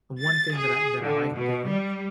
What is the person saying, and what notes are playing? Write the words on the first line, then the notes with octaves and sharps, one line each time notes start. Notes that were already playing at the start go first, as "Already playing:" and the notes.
the one thing that I that I like doing
A6
G#4
D3
B2
G3